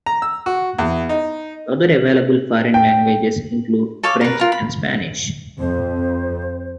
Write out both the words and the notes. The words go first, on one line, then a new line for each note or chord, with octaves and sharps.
Other available foreign languages include French and Spanish.
A#5
E6
F#4
E2
D#4
G5
A4 C#5 F5 D6
A#4 B4
F4 A#4
B5
F2 C5